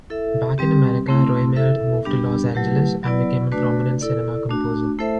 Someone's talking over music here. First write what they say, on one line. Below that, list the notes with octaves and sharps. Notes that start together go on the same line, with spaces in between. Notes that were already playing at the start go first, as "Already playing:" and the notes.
Back in America, Roemheld moved to Los Angeles and became a prominent cinema composer.
E4 A4 E5
G3 C4 G4
A3 C4 E4
E4 A4 E5
G3 B3 D4 G4
F#3 A3 E4 G4 B4
F#3 B3 E4 B4 D5
A3 D4 F#4 B4 D5
E4 A4 D5
A3 D4 F#4
A3 E4 A4 C5 E5